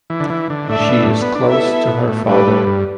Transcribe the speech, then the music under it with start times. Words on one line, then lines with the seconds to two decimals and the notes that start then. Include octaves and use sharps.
She is close to her father.
0.10 E3
0.20 D3
0.30 E3
0.50 D3
0.69 A2 D4 A4 E5
0.80 A2
0.89 B2
1.04 G2
1.09 A2
1.22 B3
1.35 D4
1.48 B3 E4 A4 E5
1.88 B2
2.08 A2
2.27 A2 G3 D4 G4 B4
2.47 A2
2.67 G2